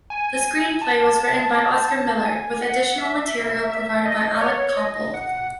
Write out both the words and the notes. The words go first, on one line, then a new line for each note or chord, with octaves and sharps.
The screenplay was written by Oscar Millard, with additional material provided by Alec Coppel.
G#5
A5
A5
G#5
F#5
E5
E5
D#5
D#5
C#5
C#5
D#5
F#5